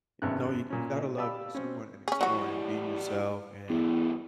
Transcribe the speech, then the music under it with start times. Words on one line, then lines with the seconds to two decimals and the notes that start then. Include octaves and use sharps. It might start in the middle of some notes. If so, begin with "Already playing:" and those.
No. You you gotta love just going and exploring and being yourself and,
0.22 G#1 F#2 C3 B3 C#4 F#6
0.70 A#2 C#4
0.97 A3 D#4
1.17 G4 D5 F5 A5 B5 E6
1.55 B2 C4 C#4
2.08 C#4 G#4
2.21 E3 F#3 G3 F#4
3.69 E2 G2 A3